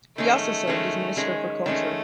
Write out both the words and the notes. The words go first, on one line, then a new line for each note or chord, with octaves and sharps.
He also served as Minister for Culture.
D#3 G#3 A3 C#4
D#3 G#3 C#4
D#3 G#3 C#4
D#3 G#3 A3 C#4